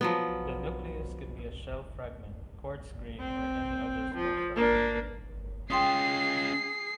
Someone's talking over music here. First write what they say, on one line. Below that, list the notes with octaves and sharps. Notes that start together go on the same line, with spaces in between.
The nucleus can be a shell fragment, quartz grain or any other small fragment.
F3 F#3 B3
C4
F3
A#3 D4
C#4 F4 G#4 G5 C6 D#6 C7